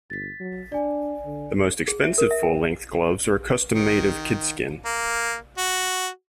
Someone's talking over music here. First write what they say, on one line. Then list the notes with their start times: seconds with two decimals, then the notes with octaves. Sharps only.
The most expensive full-length gloves are custom-made of kidskin.
0.10 G1 A6 B6
0.40 F#3
0.72 D4 D5 G#5
1.25 D3
1.88 G#4
2.03 E5
2.18 A#4
2.31 E5
2.43 G5
3.74 D#3
4.85 A#3
5.58 F#4